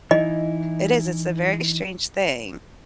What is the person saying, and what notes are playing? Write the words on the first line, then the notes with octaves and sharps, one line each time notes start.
it is, it's a very strange thing.
E3 D#4 E4 D#5